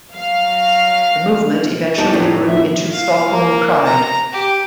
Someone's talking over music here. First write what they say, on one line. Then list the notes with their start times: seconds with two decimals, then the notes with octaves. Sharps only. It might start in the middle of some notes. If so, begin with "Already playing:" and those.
The movement eventually grew into Stockholm Pride.
0.12 F#3 F5 F6
1.98 E2 G3 D#4 A5
2.13 F2 A2 F#3 D5
2.46 E5
2.92 F5
3.30 A#3
3.86 A#5
4.32 G4